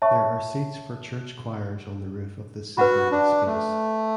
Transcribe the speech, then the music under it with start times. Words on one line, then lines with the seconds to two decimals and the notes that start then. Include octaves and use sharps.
There are seats for church choirs on the roof of this separated space.
0.02 C#5 E5 A5 C#6
2.77 F#4 B4 F#5 B5
3.12 D4
3.46 A3